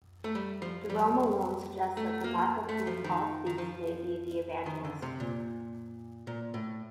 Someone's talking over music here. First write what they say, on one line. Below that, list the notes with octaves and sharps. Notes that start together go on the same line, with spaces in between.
Jerome alone suggests that the Mark of whom Paul speaks may be the Evangelist.
A3
G3
F3
G3
A3
A#3
A3
F3
D#3
D#3
F3
D#3
D3
C3
A#2
A#2
A2